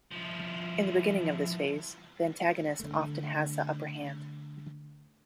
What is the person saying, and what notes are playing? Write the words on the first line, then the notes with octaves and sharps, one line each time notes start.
In the beginning of this phase, the antagonist often has the upper hand.
F3 E4
D3 A3